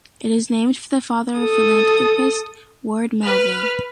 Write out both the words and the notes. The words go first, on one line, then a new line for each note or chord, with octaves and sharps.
It is named for the father of philanthropist Ward Melville.
A4 D#6
B4 F6